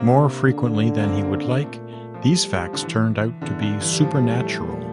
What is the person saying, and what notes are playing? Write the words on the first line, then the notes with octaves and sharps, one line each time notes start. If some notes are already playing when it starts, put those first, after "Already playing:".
More frequently than he would like, these facts turned out to be supernatural.
Already playing: C3 A#3 C4 D4
D3
A#3
C4
C4
C4
A#2 A3
A3
F3
G3
G3
F3
D3
E3
E2 D3
D3
G2
E3
G3
A2 F3
G3
A3
G3
A#2